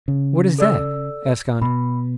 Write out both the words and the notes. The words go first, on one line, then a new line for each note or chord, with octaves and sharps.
"What is that?" asked Andrea.
C#3
A4 D5 E6
B2 B5